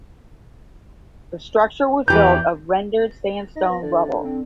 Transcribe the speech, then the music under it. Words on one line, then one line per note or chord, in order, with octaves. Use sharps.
The structure was built of rendered sandstone rubble.
E2 E3 G4 B4 A#5 G6
D#4 A#6
B3
D3 D5
C4